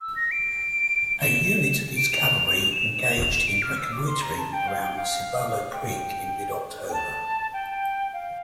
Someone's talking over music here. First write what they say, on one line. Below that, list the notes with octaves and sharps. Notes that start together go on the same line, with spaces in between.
A unit of his cavalry engaged in reconnoitering around Cibolo Creek in mid-October.
E6
A#6
D7
E7
D7
F7
E7
E7
F7
F7
E7
D7
F6
E6
D6
C6
A#5
A5
G5
F5
G5
F5
G5
G5
A5
G5
F5